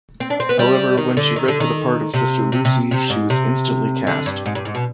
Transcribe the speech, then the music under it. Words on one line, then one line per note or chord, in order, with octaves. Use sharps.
However, when she read for the part of sister Lucy, she was instantly cast.
C4
D4
C4
B3
G3
D#3
D3
D#3
D3
D#3
C3
C3
C3
C3
G#2
C3
D3
G2
G#2
G2
G#2
B2